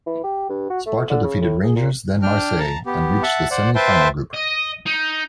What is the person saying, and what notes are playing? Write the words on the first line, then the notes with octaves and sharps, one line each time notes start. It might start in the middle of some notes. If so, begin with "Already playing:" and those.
Sparta defeated Rangers, then Marseille and reached the semi-final group.
E3
G4
G2
F#4
A3
D3
C#3
A2
G#4
A#2
D4 G5 F6
A5 A#5
B3 G4
E5 F#5 A5
C5 D5 F#5
B4 C5 E5 G5 A5 C6
D#5
D#4